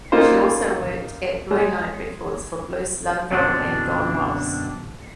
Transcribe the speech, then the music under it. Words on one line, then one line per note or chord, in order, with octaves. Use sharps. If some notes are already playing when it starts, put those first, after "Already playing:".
She also worked at Blue Note Records for Bruce Lundvall and Don Was.
A#3 C#4 D#4 F4 C5
G#3
F#2 B2 D3 B3 C4 D4